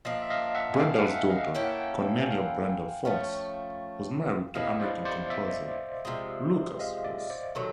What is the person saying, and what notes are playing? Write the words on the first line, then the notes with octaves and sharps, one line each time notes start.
Brendel's daughter Cornelia Brendel Foss was married to American composer Lukas Foss.
F3 A#3 D4 D#5 F5
E5
D#5 F5
E5 F#5
G#5
F5 G5
F5
E5 F#5
D#5 F5
A#3 C#4 E4 A4 G5
F#5
F5 G5
G#5
F5 G5
F3 A3 C#4
G3 B3 E4 A4 D#5 F5
C5 D5
C5 D5
D5 E5
C3 F3 G#3
D#5 F5
D5 E5
C5 D5
C3 D#3 F#3 A4 B4